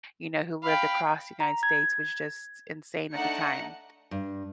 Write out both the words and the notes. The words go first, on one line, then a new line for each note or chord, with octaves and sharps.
you know, who lived across United States was just insane at the time.
F5 G5 B5
A#5
G#6
A3 D4 D#4 F#5 A#5 C#7
G2